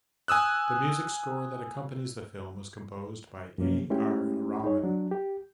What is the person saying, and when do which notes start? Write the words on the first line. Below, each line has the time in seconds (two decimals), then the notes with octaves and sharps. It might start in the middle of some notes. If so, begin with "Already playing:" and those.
The music score that accompanies the film was composed by A. R. Rahman.
0.28 G#5 D#6 E6 F#6
3.58 F#2 F3 A#3 C#4
3.90 G#3 A3 C#4 E4 G4
4.64 D#4 G#4 C#5
4.83 F#3 D4
5.11 G4